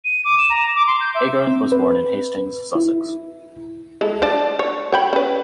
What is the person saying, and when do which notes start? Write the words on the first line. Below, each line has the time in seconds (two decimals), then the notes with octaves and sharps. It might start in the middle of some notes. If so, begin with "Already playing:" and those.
Haygarth was born in Hastings, Sussex.
0.05 D#7
0.25 D6
0.38 E7
0.50 A#5
0.75 D6
0.87 C6
1.00 G6
1.15 E5
1.47 C4
1.72 B4
2.75 E4
4.01 G#3 E4 A4
4.22 D4 D5 A5
4.59 C#5
4.92 C#5 G5 B5
5.13 C#4 B4